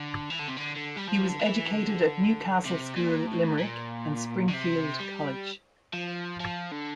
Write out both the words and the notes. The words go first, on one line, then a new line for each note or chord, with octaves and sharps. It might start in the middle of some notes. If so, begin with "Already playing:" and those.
He was educated at Newcastle School, Limerick, and Springfield College.
Already playing: D3
E3
D3
C3
D3
D3
G3
F3
D3
E3
D3
C3
A#2
A2
A#2
D3
C3
G3
F3
F3
D3